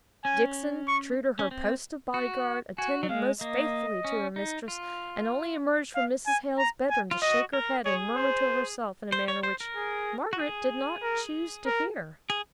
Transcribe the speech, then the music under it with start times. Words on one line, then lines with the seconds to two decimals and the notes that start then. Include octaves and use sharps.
Dixon, true to her post of body-guard, attended most faithfully to her mistress, and only emerged from Mrs. Hale's bed-room to shake her head, and murmur to herself in a manner which Margaret did not choose to hear.
0.24 C#4 G#5
0.88 C#6
1.39 C#4
1.51 C4
2.14 F#4
2.78 F#4 G#5
3.03 F#3
3.09 G#3 F5
3.41 A#3 D#5
4.04 C#4
4.36 D#4
4.68 F4
5.95 F5
6.27 G#5
6.59 A#5
6.90 G#5
7.11 F4
7.22 F#4 D#5
7.53 A#4
7.86 G#4 C#5
8.17 C5
9.12 C5
9.28 C#5
9.43 C5
9.60 A#4
9.76 G#4
10.33 F#4
10.39 G#4
11.03 A#4
11.66 A#4
12.30 G#4